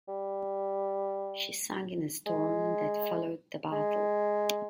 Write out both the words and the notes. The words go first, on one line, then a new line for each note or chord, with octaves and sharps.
She sank in the storm that followed the battle.
G3
G#3
G#3